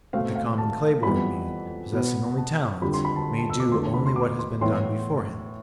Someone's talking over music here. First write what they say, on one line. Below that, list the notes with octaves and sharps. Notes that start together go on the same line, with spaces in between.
But the common clay-born man, possessing only talents, may do only what has been done before him.
B2 A3 C4 F5
F5
A5
F2 E3 G3 B3 B5
B2 B3
A5
F2 D3 G3 B5
C6
B5
A5
A5
E6
D6
E2 D3 F3 A3 C6
A5
B5
C6
D6
C6
A2 E3 B3 C6